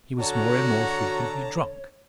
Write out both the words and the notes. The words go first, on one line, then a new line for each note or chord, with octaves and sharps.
He was more and more frequently drunk.
D3 F#4 C#5 A5 A#5